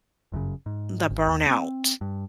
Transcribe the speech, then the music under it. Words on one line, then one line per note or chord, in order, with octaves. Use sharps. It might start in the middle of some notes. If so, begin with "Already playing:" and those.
the burnout
G1 F#2 A#2 C#3
G#2
G#1
D#2
C4 C#4
G2